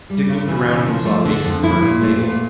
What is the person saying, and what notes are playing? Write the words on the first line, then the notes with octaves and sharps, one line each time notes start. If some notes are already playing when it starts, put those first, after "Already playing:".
Dick looked around him and saw faces turning pale.
G3
C#3
E3
C#3
F3
A3
D3
F2
E4
A#2
A3
A#2